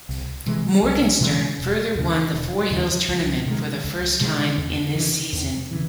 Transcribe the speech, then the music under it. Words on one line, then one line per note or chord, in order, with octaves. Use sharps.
Morgenstern further won the Four Hills Tournament for the first time in this season.
C2
C3 E3 G#3
C2
C3 E3 G#3
E1
D#2 C#3 E3
E1
D#2 C#3 E3
C#2
C3 D#3 G#3
C#2
C3 D#3 G#3
E2
C#3 E3
E2
C#3 E3